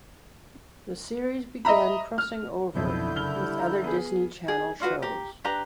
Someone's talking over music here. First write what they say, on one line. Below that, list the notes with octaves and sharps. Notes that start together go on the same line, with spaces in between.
The series began crossing over with other Disney Channel shows.
D#5 E5 A#5 B5
F6
B1 F2 B2 D3 E4 G6
F#1 F6 G7
G3
A#5
B3 G#4
G#4
D4 F4 F#4 B4
G4 A#5
D4 G4 B4 A#5